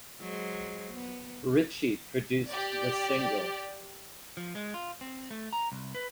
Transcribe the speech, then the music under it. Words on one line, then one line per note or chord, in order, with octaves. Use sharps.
Richie produced the single.
F#3 G#3 C5
B3
G4 D5
F3
G#3
F4
C4
A3
A#5
C2
B4